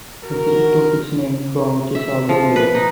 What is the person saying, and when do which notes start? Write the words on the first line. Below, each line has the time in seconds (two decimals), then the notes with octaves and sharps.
The city took its name from Chisago Lake.
0.23 F#4 A#4
1.95 E5
2.29 F3
2.56 B4
2.75 D#4